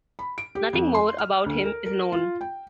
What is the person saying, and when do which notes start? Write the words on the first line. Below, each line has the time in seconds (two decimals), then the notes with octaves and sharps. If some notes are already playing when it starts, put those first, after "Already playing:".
Nothing more about him is known.
0.19 B5
0.38 D7
0.55 G4
0.73 F2
0.95 C6
1.18 F6
1.46 D2
1.65 A#4
1.86 A#4
2.12 F4
2.41 G5